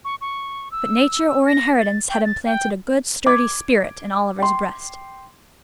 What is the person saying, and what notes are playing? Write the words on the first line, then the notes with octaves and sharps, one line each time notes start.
But nature or inheritance had implanted a good sturdy spirit in Oliver's breast.
C#6
C#6
E6
A#6
A6
G5
A6
G5
D6 G#6
G5 C6